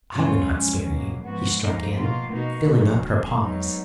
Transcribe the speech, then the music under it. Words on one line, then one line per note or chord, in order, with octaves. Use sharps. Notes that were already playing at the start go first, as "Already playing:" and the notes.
"I would not spare you," he struck in, filling up her pause.
F#2 C#3 G#3 C#4 F4
F3 G#3 C#4
B2 F#3 A#3
G#2 F3 B3 F#4
F3 A#3 D#4
B2 A#3 F4
B2 A#3 D#4 F#4
F3 A#3 D#4 F#4
F#2 D#3 F#3 A#3
G#2 F#3 B3 D#4